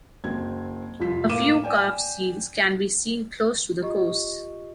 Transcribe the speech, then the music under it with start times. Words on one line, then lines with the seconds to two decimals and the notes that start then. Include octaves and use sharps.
A few calf seals can be seen close to the coasts.
0.24 F#1 C4 F#4 G#6
1.00 C2 F2 F3 F4 B6
1.29 A2 A#3 F5 D6 D#7 E7
1.64 D5 G5 G#5
3.82 F4 G4 D#5 C#6